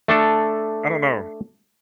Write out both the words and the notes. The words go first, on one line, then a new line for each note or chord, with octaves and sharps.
I don't know.
A3 D4 A4